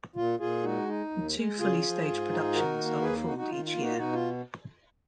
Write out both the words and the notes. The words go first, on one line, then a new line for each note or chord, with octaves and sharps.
Two fully staged productions are performed each year.
A#2 F4
A#2 F4 G#4
G#3 D#4 F#4
D#4
D#2
G#3
C#3 F4 G#4
F3
G#2
D#4
D#3 F#4 A#4
A#3
D#2 G#4 B4
D#4 F#4
D#4 F#4
D#3 F4
F4
A#3
D#4 F#4
F4
B2 D#4 F#4
F4